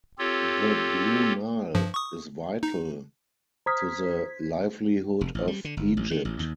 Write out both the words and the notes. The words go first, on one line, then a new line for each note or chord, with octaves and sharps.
The Blue Nile is vital to the livelihood of Egypt.
C4 F4 G4 A4 C#5
G2 F3
C#6 D#6
D#4
C5 A#5 D#6 F6 G#6 B6
F1
A1
G3
D3
G1
A1
D#3
A1
D#2